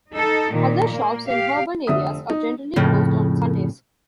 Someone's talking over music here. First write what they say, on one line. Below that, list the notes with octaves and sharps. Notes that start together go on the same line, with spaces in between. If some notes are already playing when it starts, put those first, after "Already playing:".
Other shops in urban areas are generally closed on Sundays.
D#4 A4
A#2 D#3
A#3
G4 F5
F1 D3 E5 D#6
D#4
F2 A2 C#3